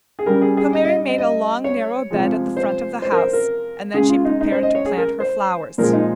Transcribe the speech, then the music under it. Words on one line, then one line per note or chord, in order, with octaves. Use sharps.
So Mary made a long, narrow bed at the front of the house, and then she prepared to plant her flowers.
G#4
C#3 G3 A#4
G#4
G#4
D#5
D#5
D#5
D#5
C#5
C3 F3 G#3
C5
C5
A#4
C5
A#4
C#3 G#3 G#4
F4
D#4
D#4
C5
D#5
C#5
G#4
A#4
C5
A#2 F3 G#3 A#4
D#4